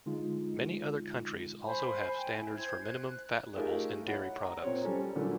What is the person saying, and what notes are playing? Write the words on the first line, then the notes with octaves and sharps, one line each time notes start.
Many other countries also have standards for minimum fat levels in dairy products.
D3 G#3 D#4 F4
C5 G#5 B5
G5 G#5
E4
C5 G#6
F#6
A3 D#4 F4 G4 G#4 A#4
E4 C#5 F#5
A#5
A#2 C4 C#5
G3 C#4 A4 C5
A#2 D3 E3 F#3 A3